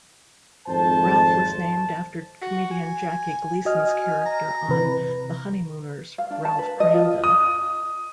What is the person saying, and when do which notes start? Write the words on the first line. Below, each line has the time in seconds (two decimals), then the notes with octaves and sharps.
Ralph was named after comedian Jackie Gleason's character on "The Honeymooners" Ralph Kramden.
0.68 G#1 F2 C5 A5
2.42 F#4
2.71 G#5
3.65 F#4 D#5 G#5 F6
4.26 A#5
4.69 C3 E3 B4
6.18 F5
6.31 D4
6.45 A5
6.59 B4
6.80 D#5
6.94 F4
7.24 D#6